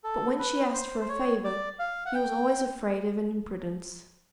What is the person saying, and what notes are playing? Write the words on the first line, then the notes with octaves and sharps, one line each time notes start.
But when she asked for a favour, he was always afraid of an imprudence.
A4
B4
C5
C5
C#5
D5
F5
F#5
G5